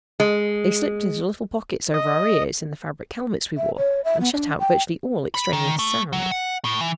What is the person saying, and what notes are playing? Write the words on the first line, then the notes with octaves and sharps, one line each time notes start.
They slipped into little pockets over our ears in the fabric helmets we wore, and shut out virtually all extraneous sounds.
G#3
D#5
E5
C#5
E5
B3
D4
G5
B5
D#3
A3
F#3
F#5
A2
E3